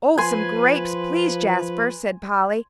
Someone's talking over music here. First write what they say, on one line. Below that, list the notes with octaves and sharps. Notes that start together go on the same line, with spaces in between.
"Oh, some grapes, please, Jasper," said Polly.
F3 B4 G#5 C6